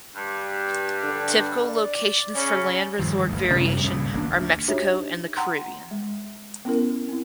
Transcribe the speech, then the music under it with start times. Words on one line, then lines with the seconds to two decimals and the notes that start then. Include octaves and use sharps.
Typical locations for land resort vacation are Mexico and the Caribbean.
0.16 G2 G3
1.04 D3
1.64 D5
2.35 C#3 C#4
2.99 G2 D#3 F3
3.28 G1 D2
3.52 F#2 C3 G3 C#4
3.83 C#2 G2 A#2 C#3
4.13 G#1 A#3 D4
4.30 D2
4.68 D4 D#4 F#4 G4 C#5 E5
5.37 F#5 G5 A#5 C6
5.91 G#3
6.65 B3 C#4 E4 A#4
7.09 C4 E4